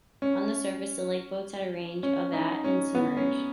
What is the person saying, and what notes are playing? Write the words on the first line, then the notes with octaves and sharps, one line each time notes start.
On the surface, the Lake boats had a range of at and at submerged.
C#4
C#4
D#4
C#4
B3
C#4